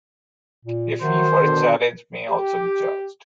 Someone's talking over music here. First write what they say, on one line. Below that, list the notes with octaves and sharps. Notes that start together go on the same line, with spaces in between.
A fee for a challenge may also be charged.
A#2
D#3 F#3 A3 F#4 C5
B2 D3
G4